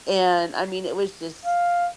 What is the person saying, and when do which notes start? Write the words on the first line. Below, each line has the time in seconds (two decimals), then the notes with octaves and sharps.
and I mean, it was just
1.45 F5